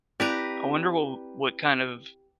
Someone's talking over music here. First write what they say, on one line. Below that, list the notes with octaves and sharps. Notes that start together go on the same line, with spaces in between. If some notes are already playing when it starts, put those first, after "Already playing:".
I wonder wh what kind of
C4 E4 G4 B4 D5 A#5